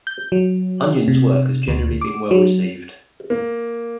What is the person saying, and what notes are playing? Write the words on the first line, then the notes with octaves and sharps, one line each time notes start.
Onions' work has generally been well received.
G6
F#3
C3
D2
D6
F#3
A#3